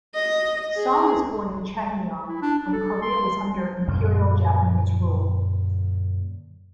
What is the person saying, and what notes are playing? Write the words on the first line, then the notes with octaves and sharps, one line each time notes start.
Song was born in Changnyeong when Korea was under Imperial Japanese rule.
D#5
G#4
E4
D4
D4
A4
C6
F#2 A#2 D3 F#3